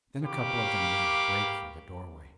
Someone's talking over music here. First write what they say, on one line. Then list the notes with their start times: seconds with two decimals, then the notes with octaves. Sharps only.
Then a couple of them made a break for the doorway.
0.24 A#3 G4 F5 B5 C#6 D6